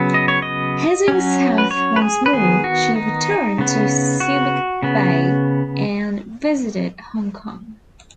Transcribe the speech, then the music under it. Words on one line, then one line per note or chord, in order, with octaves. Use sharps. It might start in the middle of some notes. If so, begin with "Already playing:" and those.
Heading south once more, she returned to Subic Bay and visited Hong Kong.
Already playing: C#3 F#3 B3
D#5
C#5
D#5
F#3 C#4
B4
C#5
B4
G#4
B4
D#3 B3 G#4
F#4
D#4
C#3 B3
F#4
C#3 B3